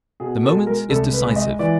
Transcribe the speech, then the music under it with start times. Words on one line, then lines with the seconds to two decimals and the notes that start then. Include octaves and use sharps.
The moment is decisive.
0.20 B2 G#4
0.43 A4
0.55 G#3
0.67 A#4
0.89 C2 A4
1.13 B4
1.24 G#3
1.36 D#5
1.59 E3 D5